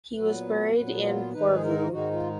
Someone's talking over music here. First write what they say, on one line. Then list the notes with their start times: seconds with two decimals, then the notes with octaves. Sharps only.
He was buried in Porvoo.
0.16 A#2 F#3 B3 B4
0.74 A#2 F#3 B3 B4
1.04 F4
1.33 G#2 D#3 G#3 D#4 B4
1.54 G#4
1.63 A#4
1.91 G#2 D#3 G#3 D#4 F#4
2.11 F4